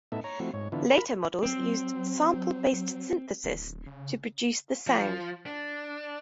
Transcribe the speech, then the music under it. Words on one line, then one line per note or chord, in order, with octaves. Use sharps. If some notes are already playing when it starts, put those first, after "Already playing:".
Later models use sample-based synthesis to produce the sound.
A2 B3 D#4 A4 E5
C#5 A#5
F3 A3 C4 E4 F#4
G#2 C#5
D3 E3 B3 D4 E4 F4
A#4 B5
F#3 C4
D1
C#3
F3
D4